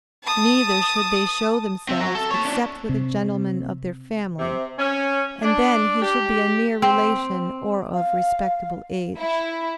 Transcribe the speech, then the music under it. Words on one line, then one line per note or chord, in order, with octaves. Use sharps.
Neither should they show themselves except with a gentleman of their family, and then he should be a near relation or of respectable age.
A5 D#6
C4 E5
F#4 A#5
A4
C#5 A5
C#4 D4
C3
C3
C#4
D4
G4
C4
F5
E4